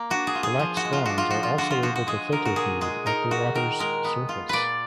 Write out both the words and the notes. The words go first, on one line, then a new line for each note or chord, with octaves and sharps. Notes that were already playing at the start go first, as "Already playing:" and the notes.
Black swans are also able to filter feed at the water's surface.
Already playing: A#3
D4 F#4
G#4
F4
G#4
F3
F#4
G#3
F4
D4 F#4
F4
F3 F#4
F4
D3 F#4
F4
F3 F#4
F#4
G#3 G#4
D3 A#4
F#4
A#2 G#4
G#3 G#4
D#4 A#4
A#2 F#4
D#3 A#4
G#3 A#4
B3
F4
A#2 B4 D5